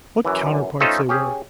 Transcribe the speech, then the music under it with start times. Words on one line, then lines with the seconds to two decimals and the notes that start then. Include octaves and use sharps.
What counterparts they were!
0.25 F#2 E3
0.80 A3 C#4 D#4 F4 A4 C5
1.09 C#4 G4 G#4